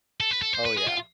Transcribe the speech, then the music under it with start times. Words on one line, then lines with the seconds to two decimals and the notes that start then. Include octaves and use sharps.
Oh, yeah.
0.21 A4
0.31 B4
0.42 A4
0.53 C5
0.65 B4
0.77 G#4
0.88 F4